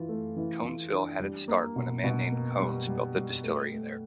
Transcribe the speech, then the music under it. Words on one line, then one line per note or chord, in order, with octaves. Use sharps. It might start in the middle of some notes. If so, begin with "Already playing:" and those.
Conesville had its start when a man named Cones built a distillery there.
Already playing: E3 F4
A3
E3
E3
D4
G3
A#3
B2
B2
A#3
G3
G3
G3
A3
A3